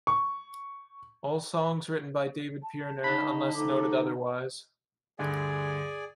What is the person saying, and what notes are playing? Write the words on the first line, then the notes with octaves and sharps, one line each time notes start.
All songs written by David Pirner unless noted otherwise.
C#6
A5
D3 D#4 B5
A2 F3 D#4 A4 D6
D2 G2 D3 G#4 D5 G#5